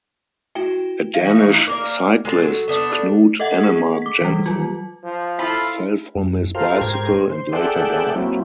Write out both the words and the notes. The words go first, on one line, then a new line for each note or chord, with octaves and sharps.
A Danish cyclist, Knud Enemark Jensen, fell from his bicycle and later died.
E4 F#4 G5 G7
E3 D#4 F5 C#6 A#6
A#3 A#4 D5
G#3 A4
F#3
A3 B3 D4
A4 D#5 E5 F#5 G#6
G#4
D6 B6
E3 G3
F#3 F4
F3
E4 F4 A4 B5
F#2
F4 G4 A4 A#4 C5 F5
G#2 G4 A#4 C5 G#6
C5
G#4 A4 D5 E5 F#5 G5
F#3 A#3 C4 C#4 E4